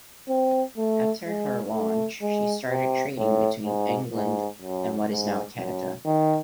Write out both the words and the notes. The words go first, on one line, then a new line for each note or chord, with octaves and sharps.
After her launch she started trading between England and what is now Canada.
C4
A3
G#3
A3
G#3
C3
A2
G#2
G#2
F#2
G#2
F#2
D#3